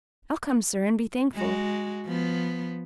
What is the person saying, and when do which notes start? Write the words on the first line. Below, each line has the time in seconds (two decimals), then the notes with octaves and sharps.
'I'll come, sir, and be thankful.
1.34 G#3 F#4
2.06 F3 B3